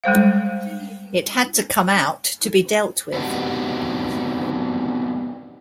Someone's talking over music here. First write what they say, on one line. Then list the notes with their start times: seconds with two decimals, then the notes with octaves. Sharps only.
It had to come out, to be dealt with.
0.04 G3 G#3 C5 F5
3.13 B3 C4 D4 D#4 F#4 G4